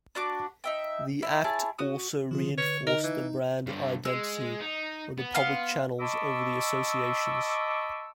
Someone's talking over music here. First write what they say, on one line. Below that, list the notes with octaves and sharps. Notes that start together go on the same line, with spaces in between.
The Act also reinforced the brand identity of the public channels over the associations.
D4 F#4 D6
D#4 E5 G5
E4
E4 G#4 C#5 A5
F#4 D#6
D3 F3 F4 G#4
B4 C#5
D#4 A#4 D#5
E3
G2 D3
G#3 E6
D#4
B3
F5 C6 F6
D#5 A5 B5 C#6 D6 E6